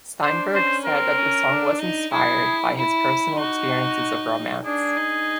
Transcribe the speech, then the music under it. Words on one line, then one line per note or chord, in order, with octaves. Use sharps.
Steinberg said that the song was inspired by his personal experiences of romance.
D4 C5
C#4 C5
C4 A#4
C#4
D4
D#4
E4 G#4
E4
D#4 F#4
D4 G#4
D#4